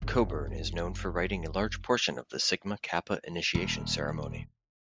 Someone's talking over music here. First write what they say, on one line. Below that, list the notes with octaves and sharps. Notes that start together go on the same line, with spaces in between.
Coburn is known for writing a large portion of the Sigma Kappa initiation ceremony.
F1 G#2
D#1